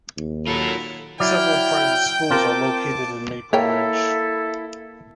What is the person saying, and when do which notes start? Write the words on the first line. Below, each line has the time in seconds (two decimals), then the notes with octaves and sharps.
Several private schools are located in Maple Ridge.
0.17 D#2
0.48 F#3 F4 A4 A#4 B5
1.20 F#3 E4 D5 G5 F6
2.30 C4 F4 A#4 A5 D6
3.53 A#3 E4 A4 C#5 F5 G5